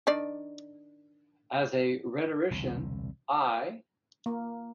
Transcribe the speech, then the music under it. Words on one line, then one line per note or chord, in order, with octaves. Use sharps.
As a rhetorician, I.
D#3 D4 D5
E1 C2 D3
A#3